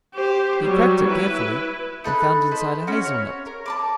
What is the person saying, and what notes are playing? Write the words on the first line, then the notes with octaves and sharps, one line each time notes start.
He cracked it carefully, and found inside a hazel-nut.
G4 C5
F#3 G3
E4 B4
D#4 A4 B5 F#6
B4 C5 D#5
C#4 E4 F#4
C#5
A#4
A5 B5 D6